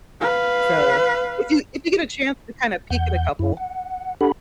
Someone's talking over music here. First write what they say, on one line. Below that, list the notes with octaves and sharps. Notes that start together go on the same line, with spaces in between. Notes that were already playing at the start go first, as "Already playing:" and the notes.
So, if you, if you get a chance to kind of peek at a couple.
B4 F5
E2 F#5 G6
F#2 E4
F#5
D4 G4 A4 F#5 B5